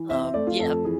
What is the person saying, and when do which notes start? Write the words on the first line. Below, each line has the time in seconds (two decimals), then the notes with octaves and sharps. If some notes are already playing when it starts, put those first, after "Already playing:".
Um, yeah
Already playing: E3
0.09 C4 E5
0.22 E5
0.34 A3 D5
0.47 F4
0.59 F2 A4
0.85 E3 G#4